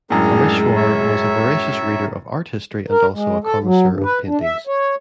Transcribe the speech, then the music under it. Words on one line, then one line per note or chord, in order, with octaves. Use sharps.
Parmeshwar was a voracious reader of art history and also a connoisseur of paintings.
F#2 A2 G#3 D4 G#4 A#4
C#5 E5
A#4
G#3
A4
F#3
G2
B4
D4
E5
C#5